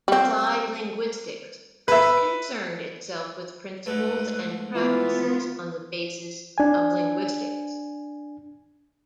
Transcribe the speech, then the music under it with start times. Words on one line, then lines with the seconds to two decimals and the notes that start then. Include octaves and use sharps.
Applied linguistics first concerned itself with principles and practices on the basis of linguistics.
0.08 G3 C4
1.88 B4 E5
3.86 G#2 A3 B4
4.75 E3 B3 F4
6.58 D4 G#5